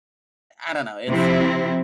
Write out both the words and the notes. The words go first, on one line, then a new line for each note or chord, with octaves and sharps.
I don't know. It's
C3 F3 C4 E4